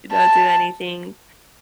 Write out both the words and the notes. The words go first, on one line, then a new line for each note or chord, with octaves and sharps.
don't do anything."
A5